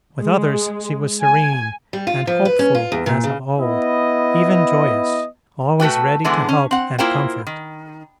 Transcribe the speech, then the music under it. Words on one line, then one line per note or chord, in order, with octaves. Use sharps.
With others she was serene and hopeful as of old, even joyous, always ready to help and comfort.
G#3
G#5
G3
F4
F3
B4
C#4
F4
E2
A#2
C#3
B3 E4 D#5
A3 F#4 B4 G5
D3 E3 G#3 B3
C#4
C4 F#5
A#3 E4 F4 A#4 C5 G5
D#3